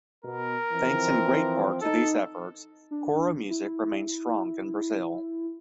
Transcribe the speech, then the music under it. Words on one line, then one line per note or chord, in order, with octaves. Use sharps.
Thanks in great part to these efforts, choro music remains strong in Brazil.
B2 B3 A#4
E3 F3 C4
D#4 A4
D4
E4